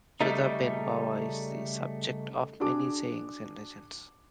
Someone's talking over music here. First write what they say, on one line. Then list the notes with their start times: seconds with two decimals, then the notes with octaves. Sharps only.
Judah ben Bava is the subject of many sayings and legends.
0.21 C#3 G3 A3 D#4
2.60 D4 F#4 G#4 D6